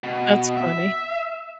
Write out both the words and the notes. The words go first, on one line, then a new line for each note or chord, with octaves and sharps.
That's funny.
B2
E5